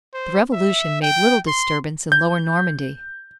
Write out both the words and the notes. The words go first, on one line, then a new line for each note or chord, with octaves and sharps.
The Revolution made little disturbance in Lower Normandy.
C5
E5
G5
C6
G6